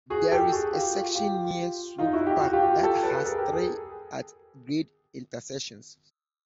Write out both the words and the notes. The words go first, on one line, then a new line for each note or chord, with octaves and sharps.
There is a section near Swope Park that has three at-grade intersections.
F#4 G#4
G4 A4
F#4 G#4
F4 G4
F4 G4
D#4 F4
E4 F#4
G4
F#4
F4 G4
G4 A4
A4 B4
G#4 A#4
G4 A4
G#4